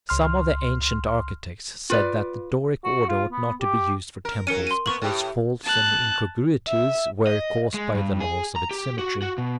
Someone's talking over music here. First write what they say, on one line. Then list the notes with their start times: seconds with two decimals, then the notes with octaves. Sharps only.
Some of the ancient architects said that the Doric order ought not to be used for temples, because faults and incongruities were caused by the laws of its symmetry.
0.09 C#2 C6 F6
1.90 F4 B4 D5
2.84 F#4
3.09 F4
3.32 B3
3.61 G4
4.25 A#4
4.47 F#3 C#4 A#4 C#7 D#7
4.67 C6 D#7
4.86 A#3 B3 C#6 F#7
5.02 A2 G4
5.65 A5 F#6
6.68 E5
7.27 D#5
7.74 G#3
7.95 G2
8.20 G#4
8.56 A#5
8.71 G4
8.99 F#4
9.22 F#4
9.38 B2